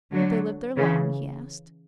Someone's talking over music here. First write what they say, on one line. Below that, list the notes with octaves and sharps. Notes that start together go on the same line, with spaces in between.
"Have they lived there long?" he asked.
D3 F#3
C#3 E3